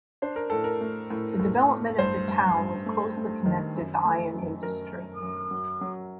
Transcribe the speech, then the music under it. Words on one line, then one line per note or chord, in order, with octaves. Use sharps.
The development of the town was closely connected the iron industry.
D4 C5
A#4
A2 A4
A#4
A3
A2
A2
A3
G2 C5
G2
G2
A3
A3
D#3
F#2
A3
F#2
F#2 A#4
F#2
F#2
F#3
F#3